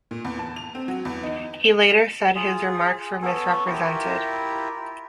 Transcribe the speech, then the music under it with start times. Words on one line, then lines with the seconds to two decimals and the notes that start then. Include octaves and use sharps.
He later said his remarks were misrepresented.
0.11 A#2
0.25 E2
0.39 A5
0.56 F7
0.75 C4
0.88 F#3
1.05 E2
1.23 D#4
2.35 F4 G#4
3.22 B3 C#4 A4 C#5
3.66 E4 F4 G4 A#4